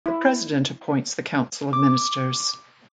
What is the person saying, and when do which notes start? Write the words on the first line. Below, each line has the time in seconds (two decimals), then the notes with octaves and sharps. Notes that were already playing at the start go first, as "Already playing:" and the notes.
The President appoints the Council of Ministers.
0.06 E4
1.73 D6